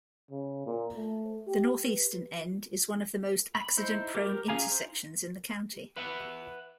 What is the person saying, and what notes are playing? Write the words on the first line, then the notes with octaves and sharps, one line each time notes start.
The northeastern end is one of the most accident-prone intersections in the county.
C#3
A#2
A3
G4
B4
B5
D#4 E4 C5
G4 A#4
C#4 G#4 F5 G#5 A#5
C5
B4 E5 F#5